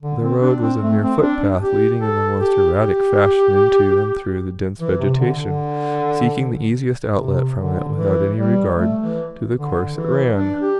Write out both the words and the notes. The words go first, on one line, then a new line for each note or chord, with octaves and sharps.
The road was a mere footpath, leading in the most erratic fashion into and through the dense vegetation, seeking the easiest outlet from it without any regard to the course it ran.
D3
C4
D4
C4
A3
C4
D4
G4
A4
G4
G4
E3
C3
D3
D3
C3
D3
E3
G3
A3
E3
D3
E3
D4
G4